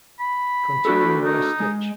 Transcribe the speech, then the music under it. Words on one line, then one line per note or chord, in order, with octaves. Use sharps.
Continuing where Stitch!
B5
D4 F#4 A4
D#4
G#3